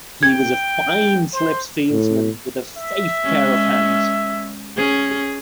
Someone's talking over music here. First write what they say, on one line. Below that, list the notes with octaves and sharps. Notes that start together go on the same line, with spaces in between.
He was a fine slips fieldsman with a safe pair of hands.
G5 G#6
C5
A2
E5
G#3 C#4
C#4 G#4